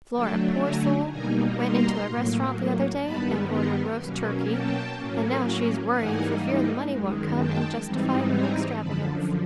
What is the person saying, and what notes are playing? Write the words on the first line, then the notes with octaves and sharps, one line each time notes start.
Flora, poor soul, went into a restaurant the other day and ordered roast turkey, and now she's worrying for fear the money won't come and justify her extravagance.
D3 F#3 A3 D4 G5 A5
G#5 A#5
B2 G3 A#3 D#4 G#5 A#5
A#5 C6
A2 F#3 A#3
G2 D#3 G3 B3 A5 B5
A#5 C6
B2 F#3 A#3 C#4
G5 A5
A2 F#3 A#3 C#4
G#2 E3 G3 A#3 D#4 F#5 G#5
F#2 D#3 G#3
G5 A5
G#2 E3 G3 C4 D#4
G#5 A#5
F#2 D3 F3 A5 B5